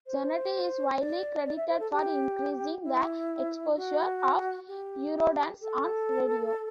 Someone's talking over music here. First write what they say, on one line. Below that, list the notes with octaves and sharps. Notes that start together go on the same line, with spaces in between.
Zanetti is widely credited for increasing the exposure of Eurodance on radio.
C5
D5
D5
E5
C5
A4
G4
E4
F#4
G4
A4